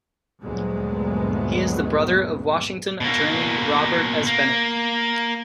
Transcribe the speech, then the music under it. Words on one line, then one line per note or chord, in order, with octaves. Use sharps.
He is the brother of Washington attorney Robert S. Bennett.
D2 G2 A#2 F#3 G#3 B3
B2 A#3
A#3